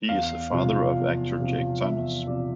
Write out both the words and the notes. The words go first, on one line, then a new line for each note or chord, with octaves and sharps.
He is the father of actor Jake Thomas.
E2 F5
C3 F3
E2
C3 F3
E2 E5
C3 F3 D5